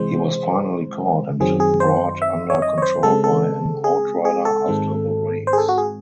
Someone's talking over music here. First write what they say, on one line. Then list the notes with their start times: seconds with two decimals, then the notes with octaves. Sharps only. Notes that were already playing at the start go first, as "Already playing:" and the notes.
He was finally caught and brought under control by an outrider after the race.
Already playing: C3 E3 G#3 C4 C5
1.40 F#2 D#3 F#3 C4 G#4
1.60 G#4
1.80 C5
2.22 E5
2.50 C#5
2.62 D#5
2.78 C#5
2.82 C5
3.03 C#3 G#3 C4 A4
3.24 A4
3.84 G#4
4.25 G#4
4.45 A4
4.66 G#2 D#3 G#3 C4
5.47 C5
5.53 G#4
5.58 A4
5.69 F#4
5.78 G#4